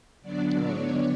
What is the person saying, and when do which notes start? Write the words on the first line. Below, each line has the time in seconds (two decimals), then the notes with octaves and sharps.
Oh, yeah.
0.22 D3 F#3 B3 D4 D5
0.61 C#5